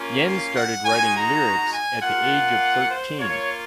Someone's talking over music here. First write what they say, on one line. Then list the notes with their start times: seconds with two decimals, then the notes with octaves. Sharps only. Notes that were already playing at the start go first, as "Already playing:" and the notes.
Yen started writing lyrics at the age of thirteen.
Already playing: A#3 C#4 F4
0.27 F5
0.56 F#5
0.85 G#3 D#4 F#4 G#5
1.15 A#5
1.73 G#5
2.02 A#3 F4 F#5
2.90 C5
3.19 A#3 F4 C#5